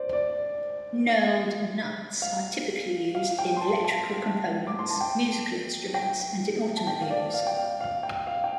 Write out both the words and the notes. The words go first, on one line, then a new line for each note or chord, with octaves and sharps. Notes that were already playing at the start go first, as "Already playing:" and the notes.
Knurled nuts are typically used in electrical components, musical instruments and in automobiles.
Already playing: C5 D5
D5
F5
F5
G5
C6
A5
A5
D6
C6
A5
G5
G5
A5
G5
F5
D5
F5
G5
F5
F5
G5
F5
G5